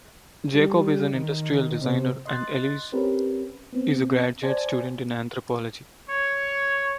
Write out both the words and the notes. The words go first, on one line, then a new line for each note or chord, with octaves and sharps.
Jacob is an industrial designer and Elyse is a graduate student in anthropology.
G3
D#3
C3
D#5 C6 F#6 A6
C4 C#4 G4 A#4 B4
B3 C4
C5 D5 G#5 A5
C#5